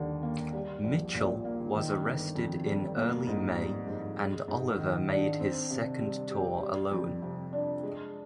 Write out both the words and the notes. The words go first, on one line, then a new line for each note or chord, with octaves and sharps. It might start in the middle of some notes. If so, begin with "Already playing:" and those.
Mitchell was arrested in early May and Oliver made his second tour alone.
Already playing: D#2 D3 G3
A#3
G3
A#1
A#2
A#3
D#3
G1
F2
G3
A#3
G#2
G3
G#2
G#3
G#2
D#3
D4
C4
C3
G3
G4
G3
F2
C3
D4
G#3